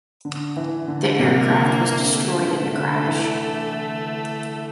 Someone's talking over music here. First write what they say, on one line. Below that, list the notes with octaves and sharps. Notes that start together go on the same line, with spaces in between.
The aircraft was destroyed in the crash.
D3
E3
D3
C3 A#3
D3
D3
D3 A3
D3
D3
E3